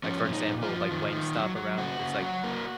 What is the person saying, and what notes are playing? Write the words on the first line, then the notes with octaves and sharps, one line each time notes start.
like for example, like Wingstop, around w it's like
F3 C#4
A#2 C#4
D#4
A#2
F4
F3
D#3
D#3
F#3
F#3
C#3 F#4
C#3
F#3
A#3